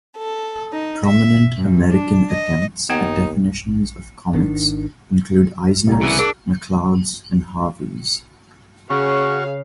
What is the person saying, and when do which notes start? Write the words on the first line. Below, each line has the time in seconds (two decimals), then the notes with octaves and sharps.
Prominent American attempts at definitions of comics include Eisner's, McCloud's, and Harvey's.
0.18 A4
0.73 D#4
1.06 E5
1.57 F#2
1.91 D4
2.32 D#5
2.90 D#2 B3 D#4 F#5
4.33 G#1 D#3 D4
5.87 C2 A#5
6.01 C#3 E3 B3
6.19 D4 G#4 A#4
8.90 C#3 C#4 F#4 G#4 F5 C#6